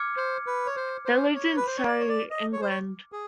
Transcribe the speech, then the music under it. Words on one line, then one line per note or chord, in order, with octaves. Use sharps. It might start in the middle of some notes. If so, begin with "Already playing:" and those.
They lived in Surrey, England.
Already playing: D6 F6 G#6 C#7
C5
B4
C#5
C5
C5
C#5
B4
C5
C#5
D5
C#5
D5
D#5
C#5
C5
C#5
G#4